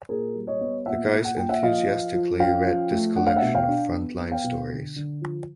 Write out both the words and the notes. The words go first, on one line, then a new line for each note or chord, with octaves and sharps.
The guys enthusiastically read this collection of frontline stories.
A#2 G#4 A#4
G3
C#5 D#5
B3
A#2 E5 F#5
A#2
F#5
A#2 G5
E5 F#5
F3 D#5 F5
F3
F3
C#4 F5 G5
F3
A3
D4 F#5
F5
E5 F#5
B2
F5 G5
D4
B3
B3
F5 G5
B2
D3
D3
F3